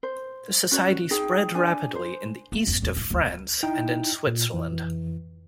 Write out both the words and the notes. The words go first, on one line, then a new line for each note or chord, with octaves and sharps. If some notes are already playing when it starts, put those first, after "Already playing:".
The society spread rapidly in the east of France and in Switzerland.
C5
C#4 F#4 C#5
D#4 G#4 G5
D4 G#5
C5
A#3
G#1 F2
A1 E2
A2
D#2 G#2
D#4 E4 G5
A#2
F2 E3